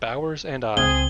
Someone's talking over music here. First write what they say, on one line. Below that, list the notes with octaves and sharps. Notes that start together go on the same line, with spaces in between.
Bowers and I.
C#2 C4 G#4 G7